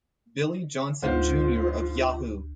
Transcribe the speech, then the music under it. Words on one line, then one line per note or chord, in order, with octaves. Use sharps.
Billy Johnson Junior of Yahoo!
D2 G#2 F4 C5 F5